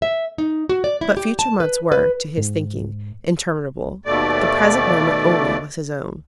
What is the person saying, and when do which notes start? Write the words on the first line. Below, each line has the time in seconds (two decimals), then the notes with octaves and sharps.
But future months were, to his thinking, interminable; the present moment only was his own.
0.02 E5
0.38 D#4
0.69 F#4
0.84 D5
1.01 E4
1.17 G4
1.39 A5
1.60 B4
1.92 B4
2.37 G#2
4.06 D#2 B2 A3 D5